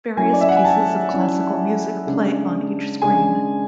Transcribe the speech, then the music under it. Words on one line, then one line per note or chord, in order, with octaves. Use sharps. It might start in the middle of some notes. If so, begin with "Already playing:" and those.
Various pieces of classical music play on each screen.
F#3 C#4 E4 G#5
D5
E5
F#5
G#5
A5
F#3 C#4 E4
C#3 G#3 D4
C#3 G#3 D4 G#5